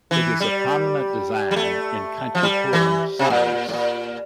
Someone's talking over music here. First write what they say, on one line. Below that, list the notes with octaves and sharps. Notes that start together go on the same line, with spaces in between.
It is a prominent design in Kanchipuram saris.
E3
G3
G3
A3
F3
G3
E3
C3
A#2
A2
A#2